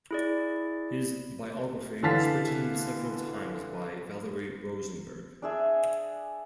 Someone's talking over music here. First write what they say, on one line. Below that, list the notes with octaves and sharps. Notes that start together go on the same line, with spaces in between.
His biography was written several times by Valerie Rosenberg.
E4 G#4 D5
D3 E3 F5 A5 A6 B6
D4 G#4 E5